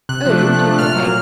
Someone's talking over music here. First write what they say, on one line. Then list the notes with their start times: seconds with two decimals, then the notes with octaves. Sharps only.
'Oh! did they?
0.09 C3 F#6
0.26 F3 A3 D4
0.44 C3
0.62 F3 A3 D4
0.79 A#2 F6
0.96 F#3 A#3